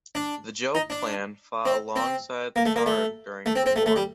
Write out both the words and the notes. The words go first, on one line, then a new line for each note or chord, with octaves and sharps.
The Jo clan fought alongside the Taira during the war.
D4
D#4
D4
C4
C4
A#3
A3
A#3
A3
A3
C4
C4
A3
A3
G3